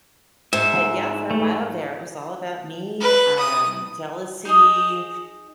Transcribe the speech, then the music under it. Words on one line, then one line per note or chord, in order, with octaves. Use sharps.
But, yeah, for a while there, it was all about me, um, jealousy,
G#2 E5
A3
B4
D#6
D#4 G#4 D#5